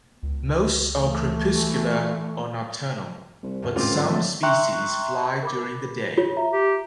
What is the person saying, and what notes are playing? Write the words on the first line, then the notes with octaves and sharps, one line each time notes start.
Most are crepuscular or nocturnal, but some species fly during the day.
C#2
E3 A3
C2
E2 A2 D3
C#2 G#2 A#3 C4 D#4 F4 D6
D3 F#3 D4
G#1 A3
E5 G5 A#5 C6 C#6 F#6
A#4 B5 D6
F4 C#5
E5 A#5
G4